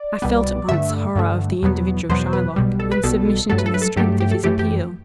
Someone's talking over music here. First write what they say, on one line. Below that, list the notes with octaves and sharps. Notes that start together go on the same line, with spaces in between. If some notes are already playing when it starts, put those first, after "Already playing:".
I felt at once horror of the individual Shylock, and submission to the strength of his appeal.
Already playing: D5
C2 B2 G3 B3
G2 D3 A3 E5
G2 D3 A3
E2 B2 F#3 B3
E2 B2 F#3 B3 C5
B4
B1 B2 G3
A4
B4
B1 B2 G3 A4
G2 F#3 A3 A4
B4
A4
B4
A4
G2 F#3 A3 G4
G4
A4
F#2 E3 A3 G4
G4